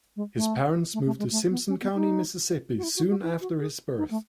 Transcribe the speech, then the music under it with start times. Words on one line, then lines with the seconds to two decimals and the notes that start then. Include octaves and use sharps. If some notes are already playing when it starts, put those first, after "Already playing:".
His parents moved to Simpson County, Mississippi soon after his birth.
0.16 G#3
0.36 A3
0.94 A3
1.06 A3
1.19 G#3
1.32 A3
1.50 B3
1.69 C#4
1.82 B3
1.95 D#4
2.78 F#4
2.83 E4
2.96 F#4
3.10 F#4
3.22 E4
3.41 F#4
3.60 G#4
3.98 D#4
4.11 A3